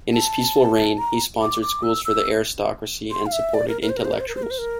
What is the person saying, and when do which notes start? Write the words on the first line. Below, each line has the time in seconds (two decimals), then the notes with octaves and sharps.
In his peaceful reign, he sponsored schools for the aristocracy and supported intellectuals.
0.13 A5
0.98 A#5
1.41 D6
1.62 D6
1.83 E6
2.05 E6
3.11 C6
3.26 F5
3.32 E5
3.54 D5
3.68 A#4
3.82 A#4
3.89 C5
3.97 A#4
4.05 C5
4.13 A#4
4.20 C5
4.28 A#4
4.35 C5
4.43 A#4
4.51 C5
4.58 A#4